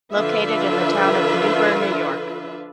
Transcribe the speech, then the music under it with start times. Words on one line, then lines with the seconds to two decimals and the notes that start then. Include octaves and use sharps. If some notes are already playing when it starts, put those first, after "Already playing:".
Located in the Town of Newburgh, New York.
0.14 D3 F3 D4 F4 B4 E5